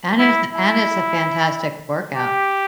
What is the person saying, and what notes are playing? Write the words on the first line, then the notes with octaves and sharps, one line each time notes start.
And it's and it's a fantastic workout.
E4
E4
G4